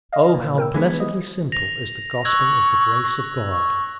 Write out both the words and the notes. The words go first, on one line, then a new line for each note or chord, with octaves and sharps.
Oh, how blessedly simple is the gospel of the grace of God!
D#5 F5
A#2
A#4 G5 E6
E3 G#3 B3 G#6
D#5
A#6 F7
C#6 E6 F#6 G#6
C#6